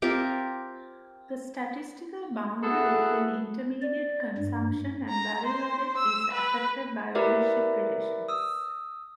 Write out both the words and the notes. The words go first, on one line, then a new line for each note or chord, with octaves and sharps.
The statistical boundary between intermediate consumption and value added is affected by ownership relations.
C4 F4 G4 A#4
E4 F#4 G#4 A4 B4 F#5
D5
G2
A#5
C5
E6
B4
E4 G4 A#4 B4 D5 E5
D#6 E6